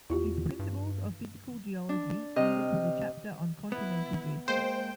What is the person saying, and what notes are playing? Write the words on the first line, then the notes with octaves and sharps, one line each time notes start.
His "Principles of Physical Geology" ended with a chapter on continental drift.
E2 E4 F4 G4
G2
D4
C3 D#5 F6
B3 E4
G#3 A#3 C5 G5 G6